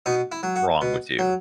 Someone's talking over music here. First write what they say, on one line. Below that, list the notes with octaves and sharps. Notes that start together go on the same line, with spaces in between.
wrong with you,
B2 D#4
E4
F#3
F#4
B2
F#3